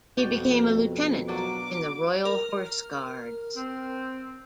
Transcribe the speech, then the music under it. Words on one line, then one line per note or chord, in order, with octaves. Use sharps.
He became a lieutenant in the Royal Horse Guards.
F2 B2 F#4 D5 G5
F#3 A#3 D4 D6
A#4
C4